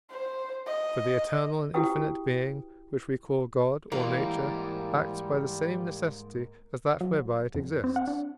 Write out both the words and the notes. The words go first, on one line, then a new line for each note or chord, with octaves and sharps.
For the eternal and infinite Being, which we call God or Nature, acts by the same necessity as that whereby it exists.
C5
D#5
E4 F#4 G4 B4 G5 D#6
G#2 E3 G3 A#3
F#3
F2
C4
F#5
D4